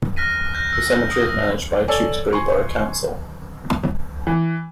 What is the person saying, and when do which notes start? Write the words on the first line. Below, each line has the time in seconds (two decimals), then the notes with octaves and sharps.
The cemetery is managed by Tewkesbury Borough Council.
0.16 F6 F#6 A#6 B6 D#7
0.54 F#6 G6 A#6
0.70 E6 A#6
1.11 D#6
1.26 A#6
1.88 A4 C#5 D5 G#5
2.33 G#5 C6 C#6
4.27 E3